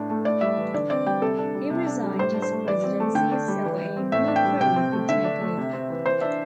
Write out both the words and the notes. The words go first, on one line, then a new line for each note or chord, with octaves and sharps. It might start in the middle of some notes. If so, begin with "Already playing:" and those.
He resigned his presidency so a new crew could take over.
Already playing: A2 D4
A3
A2 D5
G3 E5
E3
D3 D5
C4 D5
G3 G5
C3 A4
D4
G3
C3
D4
G3
A2 C5
D4
C5
A3
E3 D5
C4
A3
D3 G5
D4
G3
E3
E3
C4
A2 E5
D4
G5
G3
C3 G5
C4
A3
D3 E5
D4
A3
C3
C4
E3
E3 C5
D4 E5